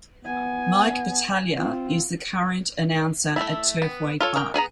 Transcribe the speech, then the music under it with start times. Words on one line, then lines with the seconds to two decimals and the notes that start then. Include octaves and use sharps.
Mike Battaglia is the current announcer at Turfway Park.
0.25 B3 G#5
1.56 C4 F4
3.36 A3 E4
3.82 B3
4.21 F4 A4 C#5
4.36 A#4 G5
4.54 B3 G#4 G#5 A#5